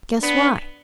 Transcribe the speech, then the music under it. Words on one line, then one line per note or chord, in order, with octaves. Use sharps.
Guess why?
B3 D4